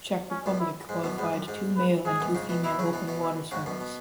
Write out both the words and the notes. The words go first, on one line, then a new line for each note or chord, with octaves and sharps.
Czech Republic qualified two male and two female open water swimmers.
C#4
F#2 B2
E4
G#2 G#3
F#2 B2
G#2 B3
F#2
G#2
B4
G#2 G#4
F#2 B2
G#2 C#3
B2 E3
B2 E3 E4
C#3 F#3
B2 E3
B2 E3
E4
G#2 C#3 F#4
F#2 B2
B2